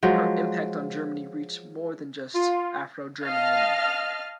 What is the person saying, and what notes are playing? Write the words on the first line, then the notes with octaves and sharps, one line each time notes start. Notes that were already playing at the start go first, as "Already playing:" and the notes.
Her impact on Germany reached more than just Afro-German women.
F3 F#3 G#3
F4
D#5 F5 A5 F6